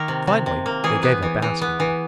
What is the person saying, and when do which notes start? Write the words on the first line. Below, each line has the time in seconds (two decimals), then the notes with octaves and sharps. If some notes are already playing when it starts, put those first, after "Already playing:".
Finally they gave up asking him.
Already playing: D#3 A#3 A#4
0.08 C3
0.27 C3
0.46 C3
0.66 A#3
0.84 E3 G#4
1.03 B3
1.22 E3
1.42 E3
1.61 B3
1.80 E3